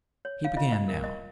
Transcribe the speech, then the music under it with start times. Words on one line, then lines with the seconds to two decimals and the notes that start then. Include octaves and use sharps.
He began now.
0.25 C#5
0.45 F5
0.57 F4 D#5
0.72 D#5
0.88 A#4
1.04 D#5